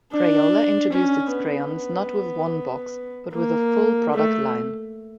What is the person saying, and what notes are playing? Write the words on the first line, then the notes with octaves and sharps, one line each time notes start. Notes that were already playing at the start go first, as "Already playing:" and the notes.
Crayola introduced its crayons not with one box, but with a full product line.
D4
C#4
B3
A#3
A3